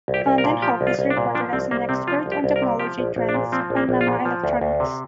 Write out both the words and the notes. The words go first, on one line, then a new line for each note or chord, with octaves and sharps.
Van den hove is regarded as an expert on technology trends and nano electronics.
C2
G4
C2
A#4
A#2
F3 G4
C2
F4
C2
D4
A#2
F3 D4
C2 C4
C2 A#3
C3 C4
F3 F4
C2
G4
C2
A#4
C3
F3 G4
A#1
A#1
D4
A#2
F3 C4
A#1
A#3
A#1
F4
A#2
F3
D2
D2
C3